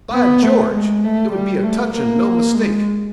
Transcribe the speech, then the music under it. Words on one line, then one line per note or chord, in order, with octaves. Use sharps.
'By George! it would be a touch, and no mistake.
B3
A3
G#3
A3
G3
A3
A#3
G#3